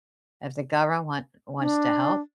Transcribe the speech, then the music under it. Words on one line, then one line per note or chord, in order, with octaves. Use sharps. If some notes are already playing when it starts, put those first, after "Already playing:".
If the govern want wants to help,
D4